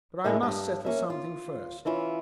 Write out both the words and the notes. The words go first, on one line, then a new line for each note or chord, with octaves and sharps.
But I must settle something first.
A2 D3 G#3 A#3 C#4 E4
G2
A#3 C#4 E5
F4
E3 C#4 E4 F4